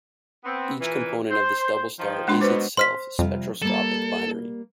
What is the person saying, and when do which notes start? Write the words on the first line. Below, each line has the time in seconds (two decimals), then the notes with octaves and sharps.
Each component of this double star is itself a spectroscopic binary.
0.44 B3 C4
0.79 A#2 E3
1.31 C5
1.99 D#3 F3
2.28 G#3 D4 C6
2.40 F#2 B2 B4 C5 D6
2.77 C5 C6 F6 B6
3.19 F2 C3 G3 F4
3.62 G3 A#3 A4